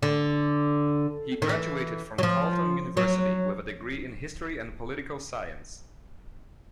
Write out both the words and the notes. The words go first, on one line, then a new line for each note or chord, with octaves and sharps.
He graduated from Carleton University, with a degree in History and Political Science.
D3
D#3
E3
F#3
F3
F#3